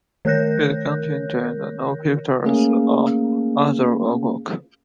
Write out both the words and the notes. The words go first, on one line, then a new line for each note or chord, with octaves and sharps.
It contained no pictures or other artwork.
D#3 A#4 C#5 F#6 G6 A#6
A3 A#3 C#4 G#4 F5